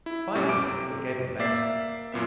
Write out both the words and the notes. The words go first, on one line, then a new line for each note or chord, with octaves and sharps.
Finally they gave up asking him.
E4
B1 G2 C#4 G4 C#6
D6 D7
C3
A#3 D5 E5 C7
F#2 A#2 B3 E5